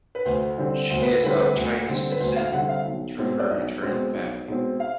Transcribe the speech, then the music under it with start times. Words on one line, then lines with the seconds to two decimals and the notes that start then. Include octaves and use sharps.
She is of Chinese descent through her maternal family.
0.15 B4
0.25 D2 C5
0.58 D3 G3 C4
0.90 D2 C5
1.02 B4
1.23 D3 G3 C4 B4
1.56 D2
1.88 D3 G3 C4
2.11 B4
2.20 D2 C5
2.36 F5
2.53 D3 G3 C4 F#5
2.69 F5
2.85 B1
3.18 B2 G#3 C4
3.40 D5
3.50 B1 D#5
3.82 B2 G#3 C4
4.15 B1
4.48 B2 G#3 C4
4.80 F5